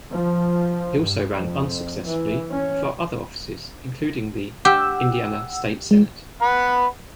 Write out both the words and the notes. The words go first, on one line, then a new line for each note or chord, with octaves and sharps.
He also ran unsuccessfully for other offices, including the Indiana state Senate.
F3
G2
F2
E3
C#4
G4 F#5 E6
G#3
B4 F#5